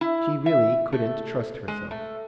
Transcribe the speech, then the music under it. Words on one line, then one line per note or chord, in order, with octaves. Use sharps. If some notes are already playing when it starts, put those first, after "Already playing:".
She really couldn't trust herself.
E4
E5
A3
G#3
A3